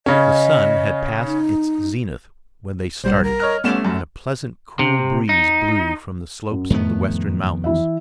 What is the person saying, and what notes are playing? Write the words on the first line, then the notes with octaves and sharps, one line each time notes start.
The sun had passed its zenith when they started and a pleasant, cool breeze blew from the slopes of the western mountains.
C#3 C#4 D#5
D#4
A#1 G3 C5 F#5
A#4
C#5 D#5 A#5 F6
C2 A3 B3 C#4 C6 D6 E7
F#2
C3
D#4
F#2
F2 A2 D#3 A3 B3
E3 E4 E5